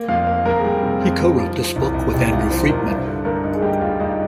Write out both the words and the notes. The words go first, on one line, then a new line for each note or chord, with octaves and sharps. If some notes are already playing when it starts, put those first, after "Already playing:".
He co-wrote this book with Andrew Friedman.
Already playing: A#3
F2 F5
A#3
F2 A#4
G#4
G3 G4
C3
F2
G3
F3
F3
C2
C2
C2 G4
C2 F4
F3 C5
C2 A#4
G2 C5
D3
G2 A#4
D3 D#4
G#4
G3 G4
G2 F4
G2 D#4